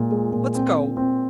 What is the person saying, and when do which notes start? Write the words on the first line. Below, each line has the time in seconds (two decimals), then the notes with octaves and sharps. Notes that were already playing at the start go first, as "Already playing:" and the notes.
"Let's go."
Already playing: A#2 G#3
0.11 G#3
0.33 A#2
0.55 C4
0.76 C4
0.97 C4